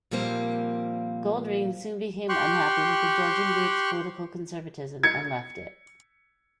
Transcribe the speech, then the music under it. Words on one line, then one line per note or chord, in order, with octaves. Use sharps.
Goldring soon became unhappy with the Georgian Group's political conservatism and left it.
A#2 F3 G3 A#3 C4 C5
G4 G5 C6 C#6 F#6
G#6 C#7